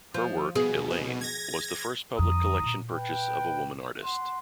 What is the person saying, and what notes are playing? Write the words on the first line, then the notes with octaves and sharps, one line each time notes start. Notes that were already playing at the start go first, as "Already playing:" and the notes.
Her work, "Elaine", was the first public collection purchase of a woman artist.
F3
B2 G#4
B2
G#6 A#6
F2 D3 A#5 D#6
A#2 E4
B4 G5
F#5 C6